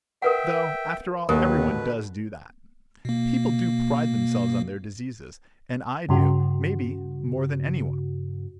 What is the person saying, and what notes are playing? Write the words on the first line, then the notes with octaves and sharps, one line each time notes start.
Though, after all, everyone does do that; people do pride themselves on their diseases, and I do, may be, more than anyone.
A#4 B4 E5 F#5 G5
D#2 B2 D3 A#4 B4
B2 A#3
G2 C#3 F#4